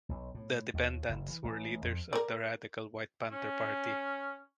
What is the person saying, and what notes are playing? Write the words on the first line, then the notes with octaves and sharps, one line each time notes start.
The defendants were leaders of the radical White Panther Party.
B1
A2
D#2
F#1
E3
A1
F2
A#4 D5
C#4